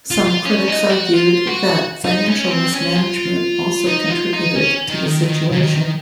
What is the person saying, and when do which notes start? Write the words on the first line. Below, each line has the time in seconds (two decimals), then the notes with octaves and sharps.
Some critics argued that financial mismanagement also contributed to the situation.
0.11 F4
0.28 F4
0.45 C#4
0.68 D#4
0.90 F#4
1.14 F4
1.47 F#4
2.04 D#4
2.28 C#4
2.51 C4
2.73 C#4
2.96 F4
3.88 D#4
4.10 F4
4.33 D#4
4.55 C#4
4.89 D#3
5.06 D#3
5.24 D#3
5.51 C#3
5.57 D#3
5.75 D#3